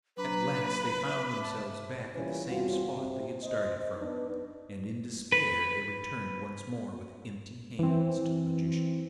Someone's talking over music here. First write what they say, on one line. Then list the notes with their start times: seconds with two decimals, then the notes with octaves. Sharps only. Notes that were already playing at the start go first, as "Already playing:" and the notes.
At last they found themselves back at the same spot they had started from, and in despair they returned once more with empty hands to the Magician.
0.17 F#3 D4 B4 A#5
0.63 A#3
1.07 E5 D6
1.42 A5
2.14 A#2 E3 G3 C#4 B4
2.48 E2 G2 C4 F4 F#4
2.96 C3
3.43 C5 D#5
3.97 B3 D4 D#4 B4
5.32 B4
7.79 E3 C4